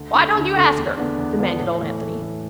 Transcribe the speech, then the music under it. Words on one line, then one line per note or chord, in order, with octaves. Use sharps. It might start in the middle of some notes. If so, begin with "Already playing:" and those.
"Why don't you ask her?" demanded old Anthony.
Already playing: D2
D3 A3
D2
D3 A3
E2
D3 B3 D4
E2
D3 B3 D4
A2
E3 A3
A2
E3 A3